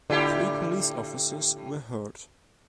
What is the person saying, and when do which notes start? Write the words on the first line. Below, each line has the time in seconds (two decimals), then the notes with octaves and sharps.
Three police officers were hurt.
0.10 A2 D3 E4 G4